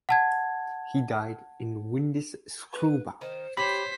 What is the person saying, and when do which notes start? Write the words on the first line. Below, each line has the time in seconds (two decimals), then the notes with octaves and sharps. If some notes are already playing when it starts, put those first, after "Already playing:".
He died in Windischleuba.
0.09 F#5 A5 G#6
2.73 B4
3.21 D#3 C5
3.57 G4 C5 C#5 B5 B6